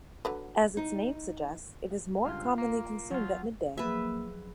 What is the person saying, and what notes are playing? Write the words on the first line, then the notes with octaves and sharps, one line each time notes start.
As its name suggests, it is more commonly consumed at midday.
D3 F#3 B4
D#4
C#2 G2 F4 F5
A#3
F3 F#3 F4
F3 F#3 A#3 G#4 B4 E5